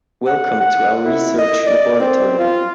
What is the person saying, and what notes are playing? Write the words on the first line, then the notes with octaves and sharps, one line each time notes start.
Welcome to our research Laboratory.
F#5
F#5
E4
D#5
D5
C4
F4